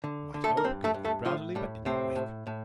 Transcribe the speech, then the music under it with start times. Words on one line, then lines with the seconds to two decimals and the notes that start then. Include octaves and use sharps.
The White Hope gurgled drowsily, but did not wake.
0.04 D3
0.34 D3
0.44 A3 A4
0.57 A#4
0.64 G2 C4 C5
0.84 A3 A4
0.94 G2
1.04 A3 A4
1.25 A2 F3 F4
1.55 A2 G3
1.85 A2 C3 C4
2.16 A2
2.47 A2